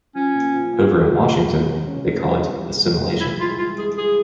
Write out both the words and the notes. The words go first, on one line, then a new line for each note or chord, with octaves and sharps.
Over in Washington, they call it Assimilation.
F3 C#4
A#2
F3
A#2
F3
G#3
A#2
G#3
C3
C#4
C3
G3
C3
G3
C2
G3
E3 E4
G#3 F4
E4 F4
G#3 G#4
E4 G#4